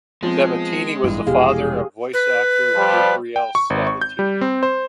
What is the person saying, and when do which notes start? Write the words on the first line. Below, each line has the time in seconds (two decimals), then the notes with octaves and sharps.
Sabatini was the father of voice actor Gabriele Sabatini.
0.23 F3 G#3 B3 C4
1.04 A1 G2 E3
1.27 F1 B2 G4 G#4 F5
2.13 B4
2.75 F3 G3
3.36 G5
3.55 C#6
3.70 G#1
3.87 C#6
4.01 G6
4.19 G3
4.41 C4
4.63 C5